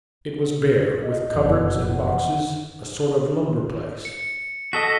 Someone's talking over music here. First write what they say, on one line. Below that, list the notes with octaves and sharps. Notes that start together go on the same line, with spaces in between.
It was bare, with cupboards and boxes, a sort of lumber-place.
D#5
F#1 F2 B2
E3 F#5
C#7
F#4 A4 D#5 B6